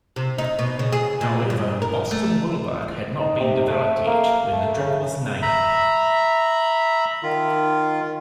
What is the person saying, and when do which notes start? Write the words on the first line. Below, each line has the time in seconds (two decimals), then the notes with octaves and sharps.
However, Boston Boulevard had not been developed yet when the drink was named.
0.16 C3
0.38 D#4
0.59 B2
0.79 C#3
0.92 G#4
1.21 A#2
1.50 G2
1.82 A#4
2.11 A3
3.20 D#4
3.40 C3
3.69 A3
4.07 A#3
4.52 A3
4.79 C#3
5.42 E5 A#5 B5
7.23 D#3 F4